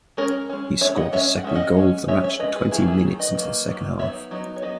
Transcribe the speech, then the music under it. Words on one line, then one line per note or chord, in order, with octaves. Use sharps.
He scored the second goal of the match twenty minutes into the second half.
G#3 C#4 A#4 C#5
G#3 C#4
G#3 C#4 C#5 E5
D#5 F#5
G#3 C#4 C#5 E5
F#5
G#3 C#4 E5
D#5 F#5
G#3 C#4
G#3 C#4 C#5 E5
C#5 E5
G#3 C#4 B4 D#5
G#4 B4
D#3 F#3 A#3 E4 G#4
E4 G#4
D#3 F#3
B4 D#5
D#3 F#3 A#3
D#3 F#3 A#3
F#3 B3 D#4 C#5 E5
F#3 B3 D#4
C#5
F#3 B3 B4 D#5